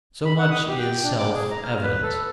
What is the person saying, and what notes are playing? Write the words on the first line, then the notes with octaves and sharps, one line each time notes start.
So much is self--evident.
B5
F#5
D#6
G4
G5
D4
D6
G#4
A#5
F6
B4
A4